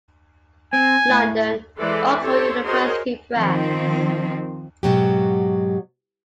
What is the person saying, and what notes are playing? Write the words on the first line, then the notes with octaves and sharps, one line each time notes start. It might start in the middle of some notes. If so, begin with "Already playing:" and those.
London: Oxford University Press.
C4 G#5
A2
E3 G#3 A4 B4 C5 D5
C4 G4 A4 C5 C#5
F#4 G#4 A#4 C5 C#5 D#5
D#3 F3 C4
G#2 B2 F#3 G4